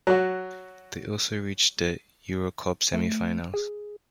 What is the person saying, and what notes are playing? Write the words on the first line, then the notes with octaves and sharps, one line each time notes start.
They also reached the EuroCup semifinals.
F#3 F#4
A3
G#4